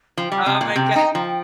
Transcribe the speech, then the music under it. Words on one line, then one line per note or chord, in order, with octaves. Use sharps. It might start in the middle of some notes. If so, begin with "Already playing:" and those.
Oh my god,
F3 G5
G3
C3 G5
A#2
C3 G5
D#4
G5
F3